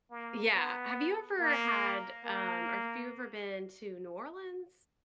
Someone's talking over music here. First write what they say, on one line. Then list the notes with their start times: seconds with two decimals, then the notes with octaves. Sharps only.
Yeah. Have you ever had, um, or have you ever been to New Orleans?
0.11 A#3
0.54 B3
1.39 A#3
2.24 A#3